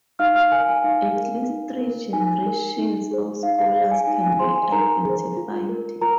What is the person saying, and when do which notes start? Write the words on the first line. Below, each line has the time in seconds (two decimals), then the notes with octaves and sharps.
At least three generations of scholars can be identified.
0.19 D#4 F5 F6
0.35 F5 F6
0.52 A#4 G#5
0.68 G#5
0.84 D#4 F5
1.16 A#4
1.49 D#4
1.80 A#4
2.13 D#4 G#5
2.46 A#4
2.78 D#4
3.11 G#4 C5
3.43 D#4 F5
3.58 F5
3.75 G#4 C5 F5
3.91 G#5
4.07 D#4 G#5
4.23 G#5
4.39 G#4 C5 C6
4.56 G#5
4.72 D#4 A#4 A#5
5.05 G#4 C5
5.37 F4
5.69 A#4
6.01 F4 A#4 A#5